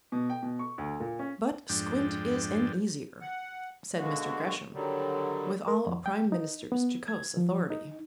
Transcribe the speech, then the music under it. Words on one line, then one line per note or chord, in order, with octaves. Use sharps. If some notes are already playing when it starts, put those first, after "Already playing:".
"But squint is an easier," said Mr. Gresham, with all a prime minister's jocose authority.
B2
G5
B2
C#6
D2
A#2
C#4
F2 G#2 D4 G5
F#5
B2 D3 G#3 A#3 F#4
D3 D#3 F#3 G3
A#4
F2
G5
D#4
B3
G#6
F3
D#4